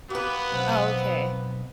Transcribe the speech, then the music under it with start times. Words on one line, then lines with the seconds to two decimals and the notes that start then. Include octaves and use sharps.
Oh, okay.
0.10 A#3 B3 G4 B4
0.52 B1 C4 F#5